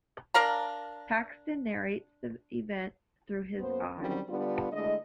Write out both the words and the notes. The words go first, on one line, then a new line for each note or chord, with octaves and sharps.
Paxton narrates the event through his eyes.
D4 A#4 F5 A#5
F#2 A#3 B3 C5
D3 D#3 F#3 G3 C4 C#4
D3 G3 B3 D4 F4 D5
D3 G#3 A3 E4 D#5